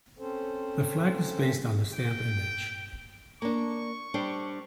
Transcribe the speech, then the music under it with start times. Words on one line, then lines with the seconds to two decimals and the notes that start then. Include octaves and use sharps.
The flag is based on the stamp image.
0.19 C4 C#4 A4 C5
1.93 G5
3.42 A#3 D4 C#6
4.14 G3 D4 C5